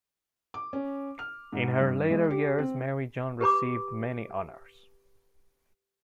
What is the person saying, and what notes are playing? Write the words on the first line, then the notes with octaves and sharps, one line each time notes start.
In her later years Mary John received many honors.
D6
C#4
F6
G#2
G2
G#3
G4
C4
G4 B4 B5 D6